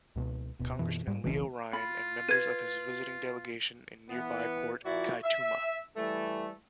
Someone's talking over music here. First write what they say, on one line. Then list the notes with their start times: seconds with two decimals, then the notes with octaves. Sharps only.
Congressman Leo Ryan and members of his visiting delegation in nearby Port Kaituma.
0.16 C#2 B2
0.60 D1 B2
0.79 F#2 E3
1.08 G#2 G3
1.24 E1 B1 C#3 E3 A3 C#4
1.73 F4 B5
2.29 B4 G#6 D#7
4.09 E3 B3
4.84 A#2 F3 E4 F#4 D5
5.23 E5
5.95 E3 G3 A3